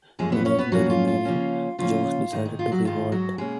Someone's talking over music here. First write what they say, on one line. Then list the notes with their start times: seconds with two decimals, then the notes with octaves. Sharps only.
Many of the remaining Jews decided to revolt.
0.19 F#2 F3 G#3 A#3 C#4 G#4
0.32 B3 B4
0.45 C#4 C#5
0.59 B3 B4
0.72 F#2 F3 F#3 A#3 C#4 F#4
0.90 F4
1.08 F4
1.25 C#3 F3 A#3 C#4
1.78 C#3 F3 A#3 C#4 F4
2.32 G#2 D#3 G#3 D#4
2.45 D#4
2.59 F4
2.72 F#3 F#4
2.85 G#2 D#3 G#3 F4
3.12 F#3 F#4
3.38 B2 G#3 A#3 C#4 G#4